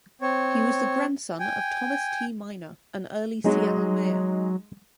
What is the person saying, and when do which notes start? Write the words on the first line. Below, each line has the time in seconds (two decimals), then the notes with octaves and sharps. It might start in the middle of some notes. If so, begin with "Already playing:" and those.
He was the grandson of Thomas T. Minor, an early Seattle mayor.
0.21 C4 C#5
1.39 G5 G#5
3.44 F#3 G#3 D#4 G#4